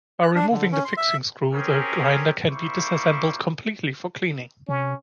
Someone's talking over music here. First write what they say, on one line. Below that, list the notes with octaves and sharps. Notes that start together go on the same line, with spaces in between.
By removing the fixing screw the grinder can be disassembled completely for cleaning.
F#6
D4
D3
C#4
C6
E5
C4 C#4 G4 G#4 A#4
G3 A#3 E4 C5 C#6 D6
C3 C#4